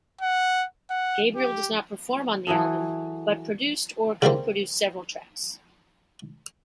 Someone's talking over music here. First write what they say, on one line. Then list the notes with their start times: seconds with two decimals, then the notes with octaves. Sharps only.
Gabriel does not perform on the album, but produced or co-produced several tracks.
0.21 F#5
0.90 F#5
1.36 G4
2.47 E3 F#3 G#4 A4
4.22 C#3 G3 A#3 C4